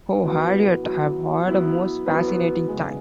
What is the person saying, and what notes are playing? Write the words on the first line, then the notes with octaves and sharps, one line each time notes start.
Oh, Harriet, I’ve had a most fascinating time.
F#3 B3 E4 B4
F#3 B3 E4 B4
F#3 B3 E4 B4
F#3 B3 E4 B4
C#3 G#3 B3